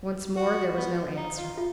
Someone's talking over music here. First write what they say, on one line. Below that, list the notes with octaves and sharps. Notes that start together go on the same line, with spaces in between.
Once more there was no answer.
F#4
B3
D#4
F4
F4